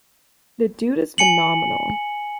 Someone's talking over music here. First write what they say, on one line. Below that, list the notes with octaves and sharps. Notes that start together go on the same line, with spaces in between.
The dude is phenomenal.
G#5 C#7 F#7